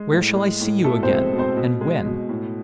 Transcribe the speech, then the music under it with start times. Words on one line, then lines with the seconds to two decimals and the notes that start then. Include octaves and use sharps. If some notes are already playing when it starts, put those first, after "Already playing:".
Where shall I see you again, and when?
Already playing: G#3
0.11 A2
0.36 G#3
0.61 A2
0.84 B2 A3 A4
1.03 C4 C5
1.08 G#3
1.33 B2
1.38 C4 C5
1.57 B2
1.81 G#3
2.06 B2
2.29 A2